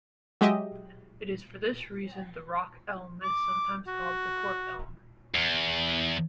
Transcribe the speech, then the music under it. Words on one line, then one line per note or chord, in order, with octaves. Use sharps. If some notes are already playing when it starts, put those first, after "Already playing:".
It is for this reason the rock elm is sometimes called the cork elm.
F#3 G#3 G4 D#5 E5
D6
F#4
E2